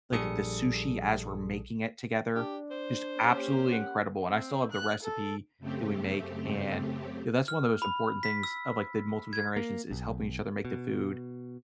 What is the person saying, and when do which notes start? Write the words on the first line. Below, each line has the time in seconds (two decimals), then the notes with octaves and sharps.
like, the sushi as we're making it together. Just absolutely incredible, and I still have the recipe that we make, and, you know, that's one of the most important things of, like, the multiple generations is helping each other make the food
0.12 A#1 G3 G#4 A4 D#6 C#7
2.35 D4 G4
2.71 C5
3.17 A#3 C#4 G4
3.72 F#5
4.24 C4
4.72 F#6
5.03 A4
5.58 F#2 C#3 A3 C4 G4
7.48 F6
7.82 B5
8.23 B6
8.43 E6
9.33 G#6
9.57 A#3
9.91 B1
10.65 B2